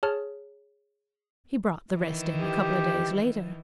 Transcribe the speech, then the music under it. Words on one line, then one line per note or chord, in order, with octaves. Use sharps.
He brought the rest in a couple of days later.
G#4 C#5 A5 F6
D#3 E3
G4